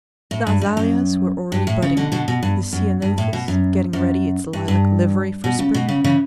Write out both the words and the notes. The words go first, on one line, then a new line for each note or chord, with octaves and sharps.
The azaleas were already budding, the ceanothus getting ready its lilac livery for spring.
A2
G2
G2
F#2
G2
A2
C#3
B2 D3
B2 D3
B2
G2
F#2
G2
A2
B2
F#2
F#2
G2
G2
B2
C#3
B2
C#3
C#3 E3